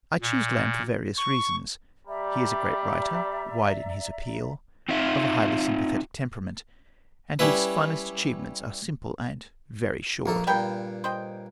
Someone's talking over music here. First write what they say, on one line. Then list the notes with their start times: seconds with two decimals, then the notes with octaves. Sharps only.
I choose Lamb for various reasons: He is a great writer, wide in his appeal, of a highly sympathetic temperament; and his finest achievements are simple and very short.
0.22 A#2
1.17 C#6
2.07 G3 D5 E5 A#5
4.89 C4 D#4 F4 E5
7.39 G3 C#4 E4 B4
10.26 A#1 A#3 A4
10.47 G2 A#2 B3 A#4 G5
11.04 C5 D#5 G5